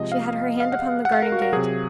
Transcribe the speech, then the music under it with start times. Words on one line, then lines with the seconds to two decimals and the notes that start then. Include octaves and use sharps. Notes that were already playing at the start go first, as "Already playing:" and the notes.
She had her hand upon the garden gate.
Already playing: C3 F3 G#3 D#5
0.12 F5
0.60 F5
0.72 F#5
1.05 F#5
1.12 F5
1.22 A#4
1.32 F#4
1.42 A#4
1.53 C3 F#3 G#4